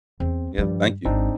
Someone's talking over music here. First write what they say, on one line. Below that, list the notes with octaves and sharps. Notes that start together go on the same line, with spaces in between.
Yeah, thank you.
E2 C4
G2 D#3 F3 G3
G#1 C4 D4 D#4